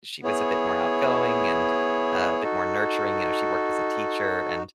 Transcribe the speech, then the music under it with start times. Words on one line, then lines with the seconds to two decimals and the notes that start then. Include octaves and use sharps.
she was a bit more outgoing and, uh, a bit more nurturing. You know, she worked as a teacher and
0.22 B3 E4 G#4 C#5
2.43 D#4 F#4 A4